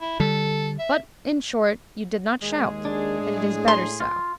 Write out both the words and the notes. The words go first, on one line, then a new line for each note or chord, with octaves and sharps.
But, in short, you did not shout, and it is better so.
E4
D3 G3 A4
E5
D#2 G#3 G#4
D4
A2 G#4
C6
F4